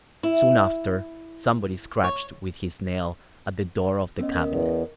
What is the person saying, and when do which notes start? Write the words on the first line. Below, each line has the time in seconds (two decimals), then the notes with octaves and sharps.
Soon after, somebody scratched with his nail at the door of the cabinet.
0.23 E4
2.04 C#5
4.19 B3 C#4 D#5
4.35 A#4 D#5
4.49 E2